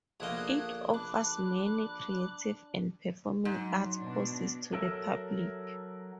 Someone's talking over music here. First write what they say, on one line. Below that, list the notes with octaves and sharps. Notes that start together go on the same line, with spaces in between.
It offers many creative and performing arts courses to the public.
A#1 D3 A3 A#3 D#5 D#6 F#6 G#6
D4 B5 D6 F#6
G#2 F#3
B2 D4
F#3 A4 A#4 E5